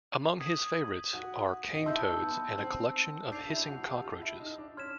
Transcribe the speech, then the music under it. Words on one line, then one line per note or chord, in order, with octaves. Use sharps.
Among his favourites are cane toads and a collection of hissing cockroaches.
D#6 G#6 B6 D#7 F#7
F#4
D#4
E4 A5 C6 E6 G6
B3
C4
D4 G6 C7 F7
E4
F#4
G4
F4
E4
D#4
D4
C#4 C6 F6 G#6 B6 E7